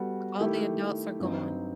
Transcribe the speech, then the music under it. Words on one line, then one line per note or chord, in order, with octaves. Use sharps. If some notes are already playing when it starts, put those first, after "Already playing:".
All the adults are gone.
Already playing: G3 B3 F#4 A4
D#3 A3 E4 G4
G2 F#3 C4 D#4